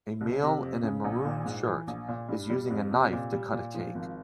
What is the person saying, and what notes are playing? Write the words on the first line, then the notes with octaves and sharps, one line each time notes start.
A male in a maroon shirt is using a knife to cut a cake.
C2
C3
F2
C#3
A#1
A#2
G#2
E3
A#1
A#2
G2
G3
F2
C3
A#2
G3
A#2
F3
G#1